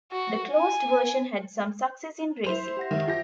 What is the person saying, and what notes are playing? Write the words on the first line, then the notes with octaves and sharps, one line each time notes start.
The closed version had some success in racing.
F#4
G#5
E4 C5 F7
G4 F#5 A#6
D#3 E5
F3 G4 A#6